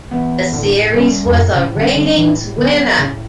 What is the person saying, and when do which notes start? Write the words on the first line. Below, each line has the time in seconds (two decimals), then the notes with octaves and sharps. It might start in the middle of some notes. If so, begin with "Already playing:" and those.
The series was a ratings winner.
0.11 E3 B3
0.52 A2 D3
0.94 C#3 G3 C#4
1.26 E2
1.34 F#2 A2
1.56 C#3
1.76 D3 G3 C#4
1.96 D3
2.17 A2 E3
2.58 D3 F#3 B3
2.99 A2 C#3